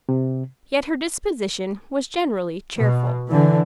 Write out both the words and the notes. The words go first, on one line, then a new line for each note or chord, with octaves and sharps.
Yet her disposition was generally cheerful.
C3
B2
D3 E3